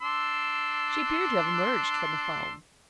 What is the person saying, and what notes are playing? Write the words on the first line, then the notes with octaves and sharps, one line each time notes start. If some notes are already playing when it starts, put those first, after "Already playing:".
She appeared to have emerged from the foam.
D4 C6 E6